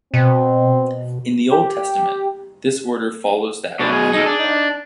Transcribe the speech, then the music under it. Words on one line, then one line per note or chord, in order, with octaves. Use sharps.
In the Old Testament, this order follows that of the Hebrew Bible.
B2 C4
G4
F#2 B2 D4
G#4
D#4 A4
D4
D#4